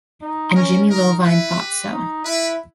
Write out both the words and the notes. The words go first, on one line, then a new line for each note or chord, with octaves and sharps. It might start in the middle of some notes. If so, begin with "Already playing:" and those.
And Jimmy Iovine thought so.
D#4
C#4 A#4
D#4 A#4
E4 B4
G4
D#4
E4 B4